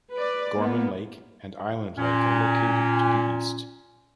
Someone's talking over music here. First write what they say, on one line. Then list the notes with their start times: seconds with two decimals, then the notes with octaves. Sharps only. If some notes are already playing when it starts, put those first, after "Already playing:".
Gorman Lake and Island Lake are located to the east.
0.13 B4 D5
0.58 A#3 B3
1.98 A#2 C#4